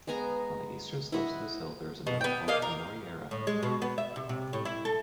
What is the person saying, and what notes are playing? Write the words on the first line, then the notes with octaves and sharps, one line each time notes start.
On the eastern slopes of this hill there is meadow called Amoreira.
G#3 B3 G#5 A#5
E4 D#5 F#5 B5
B2
B3 G5
A#3 D#5 F5
A#4
A2
G#3
B2
B3
E5
C3
C3
A2
E4
A4